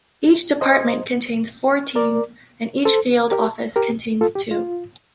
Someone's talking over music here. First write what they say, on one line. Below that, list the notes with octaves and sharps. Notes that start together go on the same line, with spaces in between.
Each department contains four teams and each field office contains two.
C5 D#5
A#4 D5
A4 C5
G4 A#4
G4 A#4
F4 A4
G4
F4